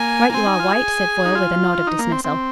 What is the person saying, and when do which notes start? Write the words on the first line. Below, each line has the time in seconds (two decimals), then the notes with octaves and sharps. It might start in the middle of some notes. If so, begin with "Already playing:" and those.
"Right you are, White," said Foyle with a nod of dismissal.
Already playing: A#3 G#5
0.29 A#3
0.34 C4 G#5
0.47 D#4
0.59 F4
0.72 G#4
1.25 D#4
1.35 F4
1.87 D#4
1.99 A#3
2.12 C4
2.25 C4